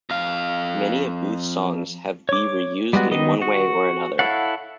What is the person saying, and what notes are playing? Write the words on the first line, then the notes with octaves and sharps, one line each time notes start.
Many of Boothes songs have be reused in one way or another.
F2 F5
C#5 D6
G3 G#3 B3 F#4
D#3 B3 D#5
F#4
E4 A4 C#5 F5 F#5